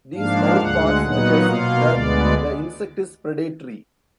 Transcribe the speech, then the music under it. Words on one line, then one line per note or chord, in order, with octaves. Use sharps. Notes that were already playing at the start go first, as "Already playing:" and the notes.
These mouthparts suggest that the insect is predatory.
G#2 F3 A#3 D4 F5
D2 D3 G#3 F#5
A#2 F#3 B3 D#4 F#5
B2 A#3 F4 F5
D2 D3 G#3 B3 D5